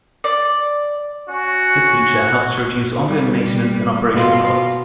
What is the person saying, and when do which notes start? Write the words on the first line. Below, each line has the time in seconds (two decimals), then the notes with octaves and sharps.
This feature helps to reduce on-going maintenance and operational costs.
0.24 D5
1.28 C#4 F#4
3.07 G3
4.12 B2 F4